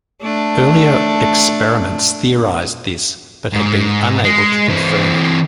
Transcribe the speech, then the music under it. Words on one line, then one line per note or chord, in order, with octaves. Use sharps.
Earlier experiments theorized this but had been unable to confirm it.
A3 D4
G#2
G#3
E3 C4